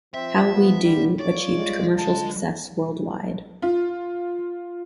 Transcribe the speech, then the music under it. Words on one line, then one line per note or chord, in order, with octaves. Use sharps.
"How We Do" achieved commercial success worldwide.
F3 C4 E5
B3
D3 G3
F#2 F4 C#5 D5
G3 G#3
D3 G#3 A5
F4